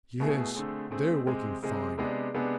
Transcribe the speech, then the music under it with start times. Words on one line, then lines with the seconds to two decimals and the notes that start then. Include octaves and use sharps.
Yes, they're working fine.
0.20 B2 A3 E4 G#4
0.55 D3 A3 C4 G#4
0.91 D3 A3 C4 G#4
1.27 C3 G#3 C4 G#4
1.63 C3 G#3 C4 G#4
1.98 C3 G#3 B3 D4 G#4
2.34 C3 G#3 B3 D4 G#4